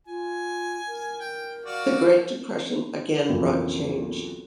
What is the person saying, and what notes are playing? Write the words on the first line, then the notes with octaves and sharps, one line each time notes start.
The Great Depression again brought change.
F4 G#5
A#4
G5
F#4 D5 F5
B1 F2 C#3 E3 F3 A#3